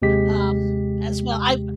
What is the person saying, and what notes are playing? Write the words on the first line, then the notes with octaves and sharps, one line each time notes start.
um, as well, I've
D#2 C3 G#3 G4 B6